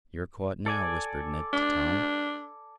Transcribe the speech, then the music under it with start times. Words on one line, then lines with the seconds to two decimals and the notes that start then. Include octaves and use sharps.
"You're caught now," whispered Ned to Tom.
0.66 A4 D5 G#5
1.53 D4